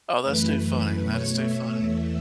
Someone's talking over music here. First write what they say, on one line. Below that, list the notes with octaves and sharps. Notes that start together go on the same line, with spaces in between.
Oh, that's too funny, that is too funny.
F#2 E3 A3 B4
B2 A3 C#5
E5
E2 E3 A3